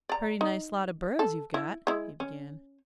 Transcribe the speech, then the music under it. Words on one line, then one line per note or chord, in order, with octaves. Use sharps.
"Purty nice lot of burros you've got," he began.
D5 A#5
D#4
A4
E4
G#3 E4
C#4